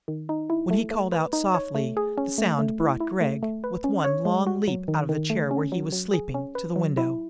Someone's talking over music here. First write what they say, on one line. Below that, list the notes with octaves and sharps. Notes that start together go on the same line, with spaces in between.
When he called out softly, the sound brought Gregg, with one long leap out of the chair where he was sleeping, to the window.
D#3
D#4
E4
A3
A3
B4
D#4
C#5
A3
G#4
C#4
A3
A3
E4
E4
A3
A3
B4
C#4
C#5
G#3
F#4
F#3
D#3
D#3
A3
C#4
F#3
F#3
G#4
C#4
B4
F#3
E4